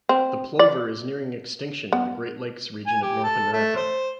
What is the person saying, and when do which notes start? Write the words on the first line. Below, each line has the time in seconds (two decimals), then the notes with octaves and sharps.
The plover is nearing extinction in the Great Lakes region of North America.
0.09 C4
0.59 D5
1.93 B3
2.86 G#5
3.02 G4
3.23 A4
3.53 A3
3.76 C5